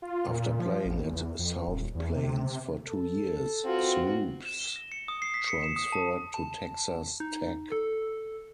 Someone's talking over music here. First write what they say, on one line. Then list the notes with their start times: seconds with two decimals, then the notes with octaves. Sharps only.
After playing at South Plains for two years, Swoopes transferred to Texas Tech.
0.02 F4
0.28 A#2
0.60 F3
0.85 A1
1.05 E2
1.39 F2
1.67 D#1
1.95 E2
2.15 C3
2.43 C3
2.88 A4
3.65 G#3 B3 C4 F4 F#4
4.45 E7
4.59 G7
4.76 A#6
4.92 C#7
5.08 D#6
5.22 C7
5.34 B6
5.48 C#7
5.63 E7
5.76 D#6
5.92 A5
6.34 A5
7.20 D#4
7.72 A4